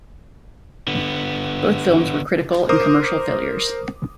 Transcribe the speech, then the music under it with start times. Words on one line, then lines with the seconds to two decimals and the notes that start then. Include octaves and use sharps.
Both films were critical and commercial failures.
0.87 D3 B3
2.69 A#4 C5 D6 D#6